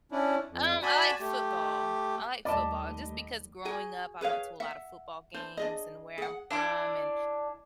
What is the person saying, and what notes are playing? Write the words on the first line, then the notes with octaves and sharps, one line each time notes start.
Um, I like football. I like football just because growing up, I went to a lotta football games, and where I'm from and,
C#4 D4 E4
F2
F#4 D5 G#5 A5 B5
A3 G4
D#2 G3 A3 D5 D#5 A5 B5 D6
F#4 G#4 G#5
G#4 B4 C#5 F5
E5 F#5
D4 C5
D4 G#4 D#5
G#4 F#5
D4 E4 D6